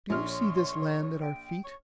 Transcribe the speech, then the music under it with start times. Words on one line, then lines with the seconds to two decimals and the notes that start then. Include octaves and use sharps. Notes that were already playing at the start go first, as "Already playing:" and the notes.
'Do you see this land at our feet?'
0.10 A#1 C#5 C6 F6
1.20 G5
1.65 C#5